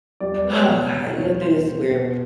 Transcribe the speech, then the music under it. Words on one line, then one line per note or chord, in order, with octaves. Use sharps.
Oh god. You gonna think this is weird,
G3 D5
D5
B3
C#5
B2
B2
G3 C#5
B3 C5
B2
B2